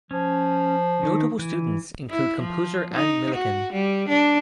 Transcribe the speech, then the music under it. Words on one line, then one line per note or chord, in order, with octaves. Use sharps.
Notable students include composer Ann Millikan.
F3 C#4
D#3
E3
E4
F3
D#4
F#4
G3
D4